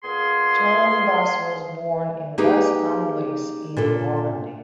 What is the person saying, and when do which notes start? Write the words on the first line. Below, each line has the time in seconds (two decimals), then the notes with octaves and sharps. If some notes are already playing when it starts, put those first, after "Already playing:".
Turnebus was born in Les Andelys in Normandy.
0.04 A#2 B3 G#4 F5 G#5 C6
2.38 A#3 D#4 G4 G#4 B4
3.77 A#2 D4 F4 A4